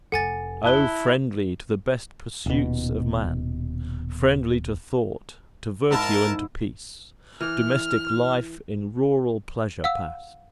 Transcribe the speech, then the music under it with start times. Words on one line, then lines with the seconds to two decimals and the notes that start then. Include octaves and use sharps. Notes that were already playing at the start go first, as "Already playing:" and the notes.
"O friendly to the best pursuits of man, Friendly to thought, to virtue, and to peace, Domestic life in rural pleasure pass'd."
0.12 F1 F2 A4 F#5 G#5 A6
0.64 E4 A5 F#6 G7
2.46 D#1 B2
5.91 G#2 E4 A#4 A5
7.41 E3 F6
9.84 F5 F#5 E6